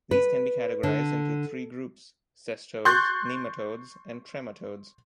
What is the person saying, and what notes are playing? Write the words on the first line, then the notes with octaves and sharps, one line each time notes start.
These can be categorized into three groups; cestodes, nematodes and trematodes.
B4
D3
C6 C#6 F#6 G6 A6